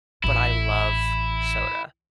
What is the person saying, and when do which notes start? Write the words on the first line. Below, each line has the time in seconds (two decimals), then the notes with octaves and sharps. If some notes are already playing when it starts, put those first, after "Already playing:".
but I love soda,
0.24 A1 E3 E4